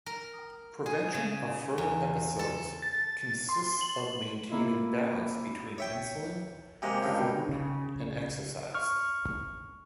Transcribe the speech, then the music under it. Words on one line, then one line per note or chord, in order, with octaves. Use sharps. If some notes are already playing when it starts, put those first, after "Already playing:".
Prevention of further episodes consists of maintaining balance between insulin, food, and exercise.
A#4
G#4
C#3
E2
A4
A6
C6
F#7
A#3 E4 F4
C#5 E5 G5
C3 G#3 A#3
C#2 G2 D#3
C#3
C#6 F6